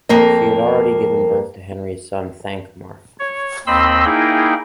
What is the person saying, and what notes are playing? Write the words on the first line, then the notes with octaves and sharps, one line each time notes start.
She had already given birth to Henry's son Thankmar.
F2 A#3 A#4 D#5
C#5
D#2 C4 D#5 B5 C6 E6
A#3 D#4 E4 G#4 G5